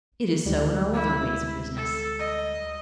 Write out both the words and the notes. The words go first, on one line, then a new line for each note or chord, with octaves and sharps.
It is so in all other ways of business.
D2 G3 G#3
E4
A4
D#5